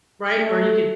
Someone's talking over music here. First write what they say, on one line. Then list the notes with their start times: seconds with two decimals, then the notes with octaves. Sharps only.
Right, or you could
0.38 A3